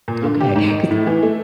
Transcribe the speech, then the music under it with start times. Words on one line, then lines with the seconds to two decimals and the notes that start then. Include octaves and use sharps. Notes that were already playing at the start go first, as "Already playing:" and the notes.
Okay, 'cause
0.08 A#2
0.23 D3
0.41 G4
0.56 G#2
0.71 D#3
0.91 A2
1.07 E3
1.23 A3